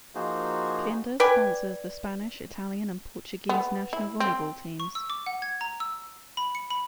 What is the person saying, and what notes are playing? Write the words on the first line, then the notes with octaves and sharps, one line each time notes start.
Kinder sponsors the Spanish, Italian and Portuguese national volleyball teams.
F3 A#3 D#4 F#4 G#4 C5
B4 D5 G5 G#5
B3
E4
C4
C#6
E6
D6
F#5
G#6
A#5
E6
B5
C#7
B5